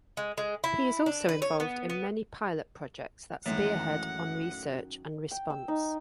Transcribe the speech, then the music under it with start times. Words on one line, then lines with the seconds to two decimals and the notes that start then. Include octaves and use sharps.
He is also involved in many pilot projects that spearhead on research and response.
0.17 G#3
0.38 G#3
0.64 E4
1.06 D4
1.29 B4
1.42 C#5
1.60 B3
1.90 B3
3.46 F#2 A2 D#3 E3 G#3 F#5
5.31 G5
5.50 E6
5.68 D#4